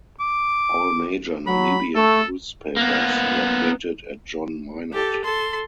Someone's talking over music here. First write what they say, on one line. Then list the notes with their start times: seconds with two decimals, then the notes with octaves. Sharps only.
All major Namibian newspapers were printed at John Meinert.
0.20 D6
1.47 F#3 B5
1.95 A3 A4
2.77 A#3 B3
4.93 G4 A4
5.24 A4 C6